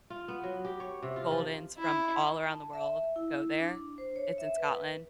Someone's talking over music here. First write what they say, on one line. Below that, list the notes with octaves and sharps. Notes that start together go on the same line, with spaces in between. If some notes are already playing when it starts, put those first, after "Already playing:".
goldens from all around the world go there, it's in Scotland.
F4
B3
F#3
G4
C#5
C3
F4
F3
E4
A5
E5
E4
D4
C5
C#5
E5
B4